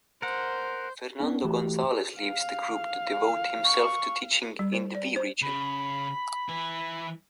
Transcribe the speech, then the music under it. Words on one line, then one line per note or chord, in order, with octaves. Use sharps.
Fernando González leaves the group to devote himself to teaching in the V Region.
A#4 C5 F#5
B3 C#4 D4
E3 A3 F#4 G4
F5
C#6
G3
C5
D5
C5
C#3 B5
E3 E4